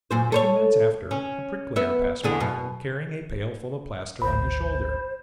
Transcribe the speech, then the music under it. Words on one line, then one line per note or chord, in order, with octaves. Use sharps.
A few minutes after, a Bricklayer passed by, carrying a pail full of plaster on his shoulder.
F#2 A#2 C5
A4 C5 C#5
C#4
B3 E5
E2 D3 G#4
F#2 B2
G#1 D2 C5 B5